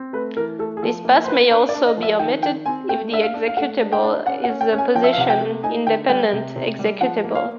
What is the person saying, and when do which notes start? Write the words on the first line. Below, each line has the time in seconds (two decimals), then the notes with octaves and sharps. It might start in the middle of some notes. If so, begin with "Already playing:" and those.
This pass may also be omitted if the executable is a position independent executable.
Already playing: C4
0.13 A3 B4
0.37 E3 A#4
0.59 A3 A4
0.77 G#4
0.82 F3 A4
1.05 A#3
1.24 C5
1.28 A#3 B4
1.51 D4 B4
1.69 D5
1.74 D4
1.86 D#5
1.98 F3 E5
2.19 D#3 G5
2.43 D#3 G5
2.66 C4 G#5
2.89 A3 G5
3.12 D4 E5
3.23 F5
3.34 D4
3.48 F5
3.57 A3 F#5
3.80 D4
3.92 G5
4.03 D4
4.26 C#4 F#5
4.44 F#5
4.49 C#4
4.61 G5
4.73 C#4
4.78 G#5
4.95 F3 G5
5.04 E5
5.13 F5
5.17 C3 F#5
5.30 G5
5.41 A3
5.63 D#4 G#5
5.87 D3 G5
6.09 G3 G5
6.33 C3
6.56 C3
6.79 G3
7.01 F3 F#5
7.24 A#3
7.35 F5